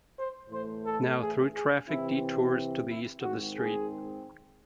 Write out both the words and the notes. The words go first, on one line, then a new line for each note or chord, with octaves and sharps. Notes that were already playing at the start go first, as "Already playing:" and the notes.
Now through traffic detours to the east of the street.
C5
A2 E3 A3 C5
A4
G#4
G#4
C3 E3 C4 E4
E4
G#2 D#3 G#3 C4 F#4
G#4